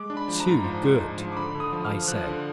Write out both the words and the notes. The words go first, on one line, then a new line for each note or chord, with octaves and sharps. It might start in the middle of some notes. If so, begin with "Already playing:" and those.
"Too good," I said.
Already playing: G#3 D6
D4
B5
F3
A#5
G#2
F3
G#2
G#2
F3
D6
D3 B5
D3
D#6
F3
F6
F3
F3 F#6
D3